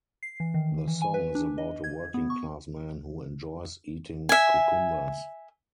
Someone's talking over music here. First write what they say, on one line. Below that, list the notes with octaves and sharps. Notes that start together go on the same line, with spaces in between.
The song is about a working-class man who enjoys eating cucumbers.
C7
E3
D#3
E3
G#5
B4
D4
D#5
G#6
B3
C#6
E5 G#5